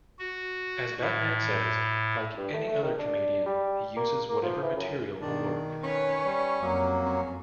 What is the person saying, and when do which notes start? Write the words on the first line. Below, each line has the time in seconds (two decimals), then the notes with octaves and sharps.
As Batman says, "Like any other comedian, he uses whatever material will work".
0.19 F#4
1.00 A2
2.38 G2
2.53 A3
2.69 A3
2.83 D#3
2.99 D4
3.46 G3
3.97 A#3
4.29 A#3
4.43 F3
4.62 E3
4.77 F#2
5.21 B2 D#3 D4
5.84 C#4 B4 C#5
6.24 G3
6.61 F2 F#3 A#3
7.06 C#4